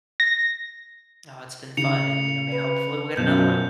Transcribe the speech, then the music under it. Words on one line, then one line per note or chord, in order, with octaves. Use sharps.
Oh, it's been fun, and, you know, may hopefully, we'll get another one.
A#6
C#3 C#7 F7
B4
F#2 B2 F3 G6